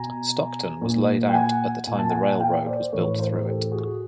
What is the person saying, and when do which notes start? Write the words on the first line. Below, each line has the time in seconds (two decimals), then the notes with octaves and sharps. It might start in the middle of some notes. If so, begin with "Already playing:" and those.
Stockton was laid out at the time the railroad was built through it.
Already playing: B2 G#5 A#5
0.82 A#2
1.29 G5
1.34 F#5 G#5
1.87 A#2 G#5
1.99 A5
2.10 F#5 G#5
2.40 F5 G5
2.67 C5 D5
2.93 A2 E3 B4 C#5
3.19 A#4 C5
3.45 G4 A4
3.72 F#4 G#4